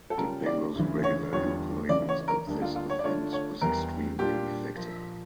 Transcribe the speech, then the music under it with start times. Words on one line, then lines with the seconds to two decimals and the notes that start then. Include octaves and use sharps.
The Bengals' regular employment of this offense was extremely effective.
0.10 A4
0.17 C#3 G3 C#4 F4 A#4
0.46 D5
0.75 D2 C#3 E3
1.04 C#5
1.32 E2 D3 G3 D4 F4 C#5
1.89 C#2 C#3 E3 D5
2.09 C#5
2.28 A#4
2.47 D2 D3 G3 A#3 D4
2.62 F4
2.76 F4
2.90 C#5
2.99 D5
3.04 D3 A3 D4 F4 C#5
3.33 C#5
3.61 E2 E3 G3 A#4
4.19 A#2 G3 D4 F4 G4
4.76 A#2 F3 A#3